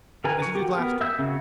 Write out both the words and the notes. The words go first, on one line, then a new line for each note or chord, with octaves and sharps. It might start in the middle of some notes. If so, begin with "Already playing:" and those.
As you did last time!
D3 A#4 B4 G#5 A#5
C#6
F#4 G4
B3 A#4
E5 E6 G6
C#3 F#4